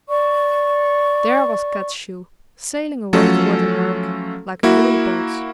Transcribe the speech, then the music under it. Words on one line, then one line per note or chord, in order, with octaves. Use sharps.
There was Kat's shoe sailing away toward America like a little boat!
D5 C#6
F3 F#3 A3 C#4 A4
A#3 E4 F#4